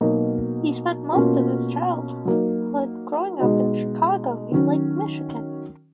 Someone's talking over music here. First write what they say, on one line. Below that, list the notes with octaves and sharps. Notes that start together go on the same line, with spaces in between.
He spent most of his childhood growing up in Chicago near Lake Michigan.
B2 F#3 A#3 D#4
B2 A#3 C#4 F4
F#3 A#3 D#4
B2 G#3 D#4 F#4
D#3 F#3 C#4